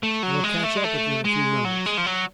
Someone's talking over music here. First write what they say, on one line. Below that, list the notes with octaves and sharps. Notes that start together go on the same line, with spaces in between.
I will catch up with you in a few moments.
A3
F#3
G#3
A3
G#3
A3
G#3
F#3
G#3
F3
F#3